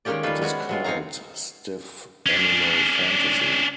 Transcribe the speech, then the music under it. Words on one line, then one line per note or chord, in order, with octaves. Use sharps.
It is called "Stiff Animal Fantasy".
D#3 G#3 A#3 C#4 G4 D5
D#3 G3 F4 A4 B4
G#3 B3 C#4 F#4 C#5
F#3 G#3 F4
C4 D#4 C#5 F5 A#5
C#4 D4